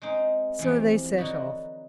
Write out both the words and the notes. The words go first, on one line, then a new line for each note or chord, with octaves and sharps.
So they set off.
G#3 C4 D#4
E2 C3 F3
D3 F#3 B3 D#4 F#4